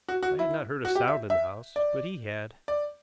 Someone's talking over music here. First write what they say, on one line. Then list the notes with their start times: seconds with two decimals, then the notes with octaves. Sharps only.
I had not heard a sound in the house, but he had.
0.09 F#4
0.23 F#4
0.39 E4
0.85 F#4
0.95 G4
1.08 E5
1.30 E5
1.76 D5
2.68 D5